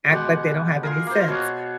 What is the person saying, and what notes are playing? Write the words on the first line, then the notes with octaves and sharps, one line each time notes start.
act like they don't have any sense.
B2 G#3 G4 F#5
F4 G#4 A#4
A#3 C5
B2 F#4 C#5